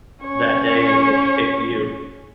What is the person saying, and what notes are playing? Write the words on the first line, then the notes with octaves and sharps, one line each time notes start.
that day it picked you.
C#4 C#5